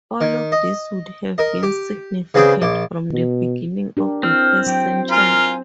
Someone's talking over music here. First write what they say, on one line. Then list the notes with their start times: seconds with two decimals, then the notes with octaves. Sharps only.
All of these would have been significant from the beginning of the first century.
0.21 D#3
0.52 D#5
1.38 A#4 D#5
1.63 G4
2.34 C#3 B3 C4 G#4 D5 G5
2.62 A#1 D5
3.13 B2
3.97 D4 G4 A#4
4.23 C4 E4 F6
4.66 F#3 G5
5.11 F4 A#4 G#5